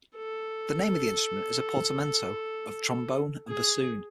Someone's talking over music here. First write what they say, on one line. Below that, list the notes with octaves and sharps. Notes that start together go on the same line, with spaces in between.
The name of the instrument is a portmanteau of "trombone" and "bassoon".
A4
G#4